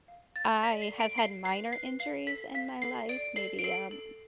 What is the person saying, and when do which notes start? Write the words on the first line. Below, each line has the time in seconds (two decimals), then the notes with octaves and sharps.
I have had minor injuries in my life, maybe a m
0.08 F5
0.36 F5 A6
0.63 D5 B6
0.82 C7
0.91 A4
1.00 D7
1.18 F5 C7
1.45 B4 C7
1.72 B4 C7
2.00 F5 C7
2.27 A4 B6
2.54 F5 B6
2.82 A4 C7
3.09 D5 D7
3.36 A4 C7
3.59 D7
3.64 A4 C7
3.91 A4